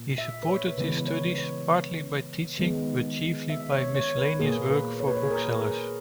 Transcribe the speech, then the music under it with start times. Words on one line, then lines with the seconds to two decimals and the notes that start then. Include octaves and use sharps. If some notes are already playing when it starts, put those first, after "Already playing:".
He supported his studies partly by teaching but chiefly by miscellaneous work for booksellers.
Already playing: A#2 A#3
0.18 E5
0.43 B4
0.48 C#5
0.78 C#3 E3 G#3 B3 B4
0.98 B4
1.08 C#5
1.38 C#5
2.59 D#3 G#3 B3
3.49 E5
3.72 C#5
3.95 C#5
4.17 B4
4.40 A#2 A#3 G#4
4.70 B4
5.00 C#5
5.08 B4
5.17 C#5
5.23 G#4
5.30 A#4
5.61 G#4